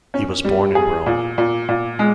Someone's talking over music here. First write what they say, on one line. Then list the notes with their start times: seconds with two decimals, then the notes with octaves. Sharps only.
He was born in Rome.
0.14 C#4
0.44 G3
0.75 G#4
1.06 A#2
1.38 A#2
1.69 A#2
1.99 G#3